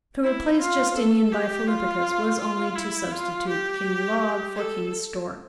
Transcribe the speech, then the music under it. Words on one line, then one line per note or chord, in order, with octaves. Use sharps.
To replace Justinian by Philippicus was only to substitute King Log for King Stork.
E4
F4
A4
G4
F4
F4
E4
F4
G4
A4